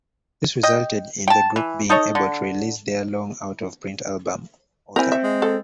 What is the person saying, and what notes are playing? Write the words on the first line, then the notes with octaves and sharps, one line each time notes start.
This resulted in the group being able to release their long out-of-print album Author!
D#5 G5
G5 A5
E3
D#4 A4 C#5 D#5
D3
C4 E4 A#4 G#5
E5
G#3
A4